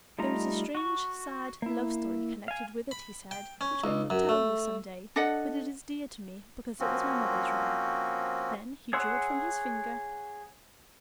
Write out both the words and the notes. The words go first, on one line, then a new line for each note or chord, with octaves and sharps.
"There is a strange, sad love-story connected with it," he said, "which I will tell you some day; but it is dear to me, because it was my mother's ring." Then he drew it from his finger.
G3 A3 D#4 F4 A#5
F#4 C#6
A#3 E4
F5 G#5
B5
G5
C#4
C#2
F#2
A3
D4 A4 D#5 F#5
F3 A#3 C4 C#4 F#4
G#4 C#5 F#5 C6 E6